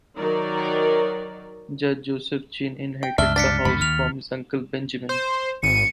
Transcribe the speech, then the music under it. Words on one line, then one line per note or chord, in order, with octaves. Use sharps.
Judge Joseph Chinn inherited the house from his uncle Benjamin.
D#3 F#3 D#4 A#4 D5
G5
C#2 G2 D4 E5 F6 G7
D4 F5 A6 B6 C#7
C#2 F#2 D3 B5
D#2 F6 F7
C5
G#1 C#7 D#7